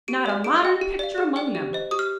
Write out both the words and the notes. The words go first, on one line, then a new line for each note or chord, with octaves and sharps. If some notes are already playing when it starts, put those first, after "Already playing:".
Not a modern picture among them.
G4 D7
D5 F5
G#4 D7
D#5 G5
G4
D5 F5
G#4
D5 G5
G4
C5 D#5
G4 D#6
F6